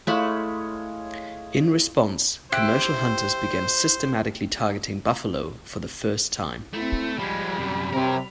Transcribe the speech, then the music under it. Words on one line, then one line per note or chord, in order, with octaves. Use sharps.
In response, commercial hunters began systematically targeting buffalo for the first time.
G#3 A3 E4 F4 C#5 B5
E4 G4 C5 F#6
A3 C4 E4
F3 G3 G#3 B5
F#2 C3
C3 F#3 A#4